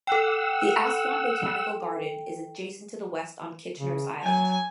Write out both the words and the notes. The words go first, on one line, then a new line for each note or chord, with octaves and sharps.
The Aswan Botanical Garden is adjacent to the west on Kitchener's Island.
A4 F#5 G5 E6
C#3
F#3 G#5